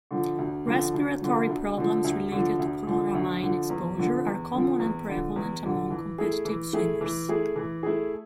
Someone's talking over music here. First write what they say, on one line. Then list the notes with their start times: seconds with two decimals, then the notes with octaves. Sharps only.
Respiratory problems related to chloramine exposure are common and prevalent among competitive swimmers.
0.11 D3 F3
0.38 D2
0.67 D3 F3
0.94 D2
1.22 D3 F3
1.49 D2
1.77 D3 F3
2.04 D2
2.32 D3 F3
2.59 D2
2.87 D3 F3
3.15 D2
3.43 D3 F3
3.70 E2
3.97 D3 F3
4.25 E2
4.52 D3 F3
4.79 E2
5.08 D3 F3
5.36 E2
5.62 D3 F3
5.90 E3
6.18 A3 E4 G#4
6.45 E3
6.73 A3 E4 G#4
7.01 E3
7.29 A3 E4 G#4
7.56 E3
7.83 A3 E4 G#4